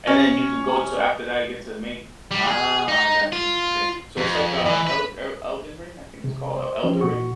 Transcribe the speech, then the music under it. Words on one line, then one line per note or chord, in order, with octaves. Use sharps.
And then you can go to after that you get to a main Ah, gotcha, okay. So, it's, like, uh, El El Elden Ring, I think it's called El Elden Ring?
C#4
G3
G#4
D#4
F4
F2
E3
B4
C3
C5
F3 C4 C#4
A#2 F#4 C#6